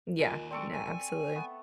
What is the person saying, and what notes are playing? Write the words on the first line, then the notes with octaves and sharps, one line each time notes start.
Yeah. No, absolutely.
D#2 F4 A#4 D#5 G#5
C4 A4 D5 C#6 E6 D7
G#5
A3 B3